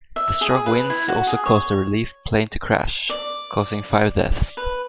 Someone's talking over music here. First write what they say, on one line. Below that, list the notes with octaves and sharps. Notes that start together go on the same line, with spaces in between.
The strong winds also caused a relief plane to crash, causing five deaths.
E5
G#4
B4
E4
F#4
G#4
C#5
D5
B4